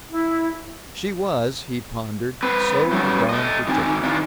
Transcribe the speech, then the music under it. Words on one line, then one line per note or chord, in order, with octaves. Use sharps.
She was, he pondered, so darn particular.
E4
C4 B4
F#3 G3 A3 B3 C#4
A3 D#5
D3 D#3 C4 D#5 G#5
D#3 E3 D4 F4 A#4 C5